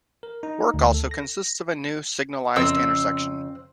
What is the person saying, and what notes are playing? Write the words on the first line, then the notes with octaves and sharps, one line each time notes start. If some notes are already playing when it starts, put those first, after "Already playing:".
Work also consists of a new signalized intersection.
A#4
D#4
D2
A4
A#6
F2 C#3 C4 E5 E6